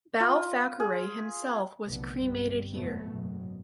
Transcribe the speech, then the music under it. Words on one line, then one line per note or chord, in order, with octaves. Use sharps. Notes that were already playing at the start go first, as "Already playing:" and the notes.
Bal Thackeray himself was cremated here.
F4
G#4
F1 B1 D3 B3
G1 G3 C4
F1 F2 G#2 F#3 A3 B3
F#1 G#2 B2 F#3